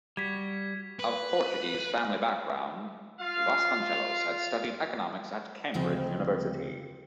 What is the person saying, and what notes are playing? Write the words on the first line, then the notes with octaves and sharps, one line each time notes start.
Of Portuguese family background, Vasconcellos had studied economics at Cambridge University.
G3 F#4 G#6 B6
B4
F4 F5
D2 C#3 F3 C4 D#5 G5